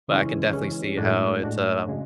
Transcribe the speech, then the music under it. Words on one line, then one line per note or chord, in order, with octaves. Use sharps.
but I can definitely see how it's, um,
C#3 E3 G#3 C#4
C#3 E3 G#3 C#4
A2 G#3 D4 F#4
A2 G#3 D4 F#4
C#3 G#3